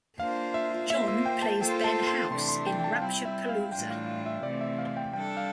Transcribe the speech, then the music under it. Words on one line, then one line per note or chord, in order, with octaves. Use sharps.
John plays Ben House in "Rapture-Palooza".
A#3 D4 F4 C5 F5
E5
A#3 F4 C5 E5
E5
G5
A5
A#3 F4 A4 C5 G5
A5
C6
C3 E3 A3 D4 C6
C6
G5
G5
A5
F5
G3 C4 E4 G5
E5
F5
A2 E3 G3 D4 F4 G5
F5
E5
C3 E3 A3 C4 D5
E5
F5
G5
G3 D4 A4 G5
F5